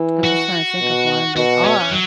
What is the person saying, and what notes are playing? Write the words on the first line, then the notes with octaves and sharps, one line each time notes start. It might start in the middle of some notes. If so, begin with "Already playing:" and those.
I'm just trying to think of one that are
Already playing: E3
F#4
B2
B2 F#4
C#4
F#3